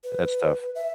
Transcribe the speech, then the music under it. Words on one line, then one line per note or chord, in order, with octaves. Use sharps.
That's tough.
B4
E5